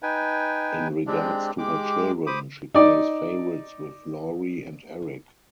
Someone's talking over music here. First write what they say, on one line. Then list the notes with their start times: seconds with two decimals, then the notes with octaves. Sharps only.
In regards to her children, she plays favorites with Laurie and Eric.
0.03 D#4 B4 G5 G#5
1.07 G#3 C4 D4 G4
1.58 G#3 G4 D6
2.27 C5 B5 D6 D#6
2.75 D#4 D5